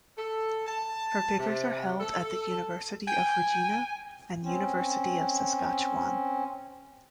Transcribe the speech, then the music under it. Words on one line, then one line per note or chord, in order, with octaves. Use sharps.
Her papers are held at the University of Regina, and University of Saskatchewan.
A4
A5
C3
A4
G5 G#5
C4 C#4